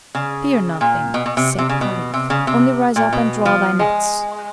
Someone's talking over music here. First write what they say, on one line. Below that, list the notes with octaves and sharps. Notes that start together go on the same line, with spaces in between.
"Fear nothing," said the Caliph, "only rise up and draw thy nets."
C#3
A#2
B2
B2
C3
C3
C#3
B2
C3
C#3
C3
A#2
B2
F3
G#3